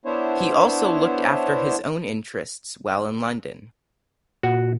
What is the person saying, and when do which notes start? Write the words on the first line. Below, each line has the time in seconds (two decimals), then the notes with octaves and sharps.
He also looked after his own interests while in London.
0.05 B3 D4 E4 C5 C#5
4.43 A#2 F#4